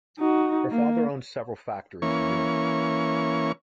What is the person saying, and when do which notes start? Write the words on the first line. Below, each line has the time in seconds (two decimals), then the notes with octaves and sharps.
Her father owned several factories in Europe.
0.19 D#4 F#4
0.71 A#3
2.02 E3 A#3 C#4 C#6